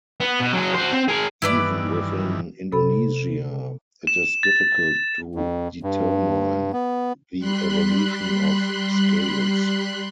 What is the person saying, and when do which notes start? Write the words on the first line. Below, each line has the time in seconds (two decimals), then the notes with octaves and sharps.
Even within Indonesia it is difficult to determine the evolution of scales.
0.20 B3
0.40 B2
0.53 F#3 G#4
0.74 F#4 C5
0.92 C4
1.08 G#4 A#4
1.42 G2 D#3 E3 E4 B4 D5
2.72 C3 A4 B5
4.07 E7
4.43 A6
5.35 F2
5.83 G2
6.73 B3
7.39 G3 B5 C6 F#6